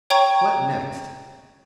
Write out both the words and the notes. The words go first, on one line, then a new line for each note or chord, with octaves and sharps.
What next!
C#5 G5 A#5 C#6 G#6